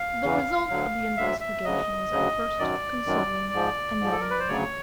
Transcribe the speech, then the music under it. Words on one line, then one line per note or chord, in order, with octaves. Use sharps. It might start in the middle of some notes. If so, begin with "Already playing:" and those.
The result of the investigation was at first consoling, and then amazing.
Already playing: F5
E2 C#3 E3
D2 D3 F#3
D2 D3 F#3 E5
E5
D2 C#3 F#3 D#5
D2 C#3 F#3
F#2 D#3 F#3 D5
F#2 D#3 F#3
G#2 F3
G#2 F3
A4
A#4
B4
C5
D2 C#3 F#3 C#5